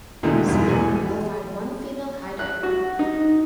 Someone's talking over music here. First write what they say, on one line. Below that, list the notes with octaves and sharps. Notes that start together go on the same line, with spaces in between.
Spain qualified one female high diver.
E2 B2 D3 D#3 G#3 A3
F1 E2 G2 B2
E1 A1 G#5
F#6
F#4
D#4